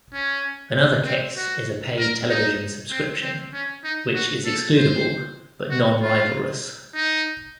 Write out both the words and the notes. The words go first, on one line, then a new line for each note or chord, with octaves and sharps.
Another case is a pay television subscription, which is excludable but non-rivalrous.
C#4
C4
F#4
A#4
D#4
C4
C4
C#4
D#4
F#4
A4
C5
F#4
F4
D#4